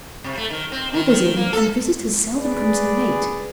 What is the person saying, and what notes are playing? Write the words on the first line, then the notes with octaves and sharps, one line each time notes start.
"Father's in and visitors seldom come so late."
C3
A3
D#3
C4
D#3
D#3
A#3
A4
G#4 B4 D5